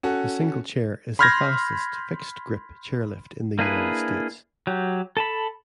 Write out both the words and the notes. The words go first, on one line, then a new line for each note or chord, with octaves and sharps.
The Single Chair is the fastest fixed-grip chairlift in the United States.
C#4 F#4 A4
B5 C6 F6 G6 G#6 A#6
A#3 D4 E4 G#4 B4
F#3 G4
A4 A5 B5